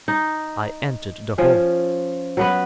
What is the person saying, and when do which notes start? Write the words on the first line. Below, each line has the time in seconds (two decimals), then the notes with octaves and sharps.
I entered the hall.
0.08 D#4
1.38 F3 C#4
2.37 F#3 B3 B4